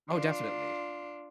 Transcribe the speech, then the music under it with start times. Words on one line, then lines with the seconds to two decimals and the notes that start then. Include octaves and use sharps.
Oh, definitely.
0.11 D4 F4